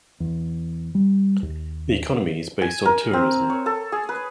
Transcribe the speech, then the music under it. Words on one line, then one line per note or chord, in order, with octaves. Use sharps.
The economy is based on tourism.
E2
G3
D#2
G#5
A#4
C4
C#5
A4
G#4
B4